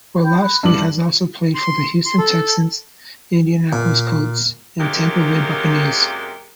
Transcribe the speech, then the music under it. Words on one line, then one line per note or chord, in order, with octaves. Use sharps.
Orlovsky has also played for the Houston Texans, Indianapolis Colts and Tampa Bay Buccaneers.
G5 B5 G6
B5 F#6
G2 E4 D6 F#7
C6
C6
A4
A#2
F#2 C3 G#3 A#3 G4 A#4